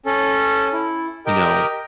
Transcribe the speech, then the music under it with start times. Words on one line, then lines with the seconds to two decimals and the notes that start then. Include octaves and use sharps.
you know
0.06 C#4 A4
0.73 E4
1.26 G4 A#4 D#5 G5